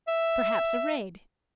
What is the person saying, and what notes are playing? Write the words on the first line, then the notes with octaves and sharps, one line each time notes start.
Perhaps a raid!
E5